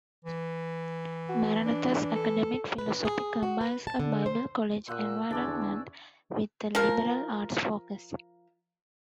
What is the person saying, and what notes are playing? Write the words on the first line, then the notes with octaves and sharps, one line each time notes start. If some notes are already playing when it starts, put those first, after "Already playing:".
Maranatha's academic philosophy combines a Bible college environment with a liberal arts focus.
E3
F#4
D4
A4
B4
G#4
F#4
B4
A5
D3
C5
A#2 C5 F#5 D#6 E6
E2 D3 C#4 D4 D5 A5
F3 A#4